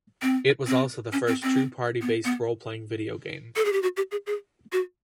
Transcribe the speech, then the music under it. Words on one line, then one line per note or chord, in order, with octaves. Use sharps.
It was also the first true party-based role-playing video game.
C4
C4
C#4
C4
C4
B3
B3
A4
G#4
G4
F#4
G4
G#4
G#4
F#4